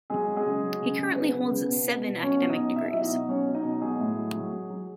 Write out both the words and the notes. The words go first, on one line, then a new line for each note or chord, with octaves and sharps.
He currently holds seven academic degrees.
F#3 G#3 G#4
F#3
G#3 G#4
C#3
F#3
C#3
C#3
F#3 B3 B4
C#3
C#3
B2
B2
B2
F#3 C#4 C#5
B2
D#4 D#5
B2
B2 E5
D#5
F#3 E4 E5
D#4 D#5
B2
F#3 C#4 C#5
F#3
D#4 D#5
B2
F#3 G#3 G#4
A2
F#3
F#3
F#3
F#3